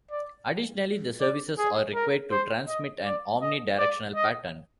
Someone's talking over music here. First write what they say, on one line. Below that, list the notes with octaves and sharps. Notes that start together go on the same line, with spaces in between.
Additionally the services are required to transmit an omni-directional pattern.
D5
D5
G#4
A#4
C5
D#5
D5
D#5
D5
D#5